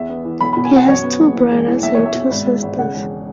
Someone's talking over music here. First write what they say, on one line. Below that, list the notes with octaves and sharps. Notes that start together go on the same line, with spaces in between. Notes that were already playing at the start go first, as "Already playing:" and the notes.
He has two brothers and two sisters.
Already playing: E2 E5
B3
E3
B1 B5
B2 B5
G#5
B2 F#5
F#2 C#5
B3
F#1
E3
E1
E3
B1 E5
B1 C#5
E5
B2
G#1
G#2
G#1
C#3 F#5
E1